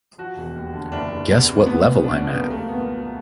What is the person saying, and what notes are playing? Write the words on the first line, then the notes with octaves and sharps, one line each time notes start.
Guess what level I'm at?
F3 F#4
E1
D#2
D3
F#1 D4
F#1
E2
C3
D2 B3
D2
C#3 D4
C#4
F3
B3
C2 A#3
A3
C2 A#3
B3
A#2
F#3